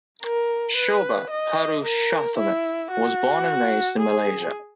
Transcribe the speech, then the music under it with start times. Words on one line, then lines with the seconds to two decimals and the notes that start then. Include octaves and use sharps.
Shoba Purushothaman was born and raised in Malaysia.
0.23 A#4
0.76 B4
1.31 D#5
1.84 A#4
2.38 E4
2.92 F#4
3.99 G#4